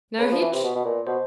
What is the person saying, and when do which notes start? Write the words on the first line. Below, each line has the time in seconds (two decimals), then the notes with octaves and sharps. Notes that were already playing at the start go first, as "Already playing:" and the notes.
"No hitch?"
0.19 C#3 B4
0.31 F3
0.41 E3
0.53 C3
0.63 B2
0.75 B2
0.85 A#2
1.07 B2 C5